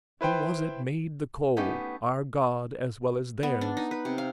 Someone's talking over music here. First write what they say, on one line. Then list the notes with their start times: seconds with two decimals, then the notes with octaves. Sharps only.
"Who was it made the coal? Our God as well as theirs."
0.21 E4 B4 C5 G5
1.57 A3 B3 C#4 D#4 G4
3.43 B3
3.61 D4
3.77 D#4
3.91 B4
4.05 C3
4.18 F5